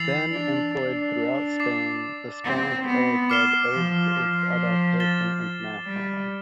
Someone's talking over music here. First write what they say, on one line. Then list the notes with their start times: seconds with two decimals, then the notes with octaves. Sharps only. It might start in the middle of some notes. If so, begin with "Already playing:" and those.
Then employed throughout Spain, the Spanish Aero Club urged its adoption internationally.
Already playing: E3 E6 A6 C7 F7
0.32 D4
0.75 D4
1.60 D6 A6 C7
2.44 C4
2.87 B3
3.30 D6 F6 C7 E7 G7
3.72 F3
4.15 F3
5.00 A6 E7 G7
5.85 G3